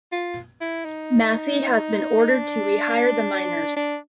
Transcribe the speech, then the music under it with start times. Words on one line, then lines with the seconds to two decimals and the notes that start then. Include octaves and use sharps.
Massey has been ordered to rehire the miners.
0.12 F4
0.61 E4
0.85 D#4
2.30 D4
3.77 D4